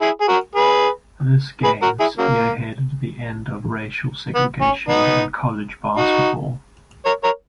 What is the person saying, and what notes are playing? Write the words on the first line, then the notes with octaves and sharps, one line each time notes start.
This game spearheaded the end of racial segregation in college basketball.
E4 G#4
G#4
F#4 A#4
G#4 B4
G#4 B4
F#4 A#4
E4 G#4
C#3 F#3 A#3
B3
C#4
B3 D#4
D#4 F#4
A#4 C#5
A#4 C#5